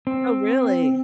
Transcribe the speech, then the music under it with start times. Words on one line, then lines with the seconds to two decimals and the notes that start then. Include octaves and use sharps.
Oh, really?
0.07 C4